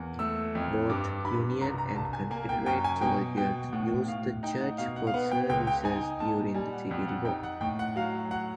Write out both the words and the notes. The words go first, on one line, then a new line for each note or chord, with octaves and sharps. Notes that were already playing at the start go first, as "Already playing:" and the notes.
Both Union and Confederate soldiers used the church for services during the Civil War.
Already playing: E2 A#3
A3 E6
F2
G2 D6
G2 B5
C2 A#5
A#5
C2 A5
G#5
A#3 G#5
G5
F#2 G5
G#5
B2 G5
B2 G5
A2 F#5
A2 F5
D#4 G5
F#5
B2 F5
F#5
F5
B3 F#5
G5
C#2 G5
G5
D#4 G#5
A#2 A5
G3 G#5
F#5
F2 F#5
F#5
D#4 G5
F#5
A2 G5
F#5
F#3 F5
F#5